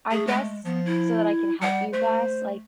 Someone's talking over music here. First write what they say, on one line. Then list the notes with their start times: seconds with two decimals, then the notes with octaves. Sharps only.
I guess so that I can help you best, like,
0.11 A3 G#4
0.27 G#3
0.65 F3 B3
0.85 E4
1.61 G3 F#5
1.93 A3 C5